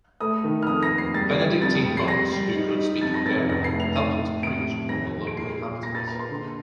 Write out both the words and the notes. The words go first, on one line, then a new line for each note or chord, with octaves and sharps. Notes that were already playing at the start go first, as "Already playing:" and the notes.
Benedictine monks who could speak Hungarian helped him to preach among the local inhabitants.
A3 D#6
D#3
F6
F2 D#6
A#6
A#3
C7
G3 A6
G3
F2 A6
G3
C7
G3 A#6
G3
D#4
D#4
F2 A6
A#6
F1 A6
A1 A#6
C7
A2
F7
D#4 D#7
A2
C3 D7
F2
D#2 A#6
D#2
D7
A#2 C7
A#2
A#3 A#6
A6
A#3 A#5
C6
D3